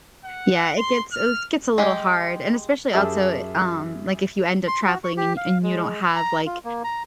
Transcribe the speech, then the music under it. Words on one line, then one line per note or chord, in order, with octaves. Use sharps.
yeah, it gets uh, it gets a little hard, and especially also, um, like, if you end up traveling, and y and you don't have, like,
F#5
C6
F6
G#3 G4
F#2 G4 G#4 E5 A5 E6
C6
F#4
C#6
G4
F5
G#3
A#5
F4
A#3
A#5